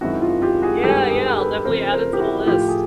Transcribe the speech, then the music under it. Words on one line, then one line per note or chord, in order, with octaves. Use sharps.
Yeah, yeah, I'll definitely add it to the list.
F#2 D#3 G#3 C4 E4 F#4
F4
F4 G4
F#4 G#4
G2 D#3 G#3 B3 G4 A4
G#4 A#4
A4 B4
C#3 F3 A3 C4 A#4 C5
A#4 C5
G4
E4 F#4
A2 F3 A3 F4 G4
G#4